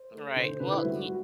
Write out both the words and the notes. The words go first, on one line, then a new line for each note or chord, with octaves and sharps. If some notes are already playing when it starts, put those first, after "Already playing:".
right. Well, y
Already playing: C5
A3
D3 C5
C5
D3 B4
E4
G3 F#4
F#4
G3